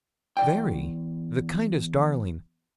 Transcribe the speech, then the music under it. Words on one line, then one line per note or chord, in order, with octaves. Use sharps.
'Very--the kindest darling.
E2 D5 G5